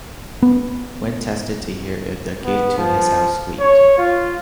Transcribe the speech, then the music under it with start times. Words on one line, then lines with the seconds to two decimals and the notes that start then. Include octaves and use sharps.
Quinn tested to hear if the gate to his house squeaked.
0.43 B3
2.45 B3
2.78 F3
3.60 C#5
3.98 F4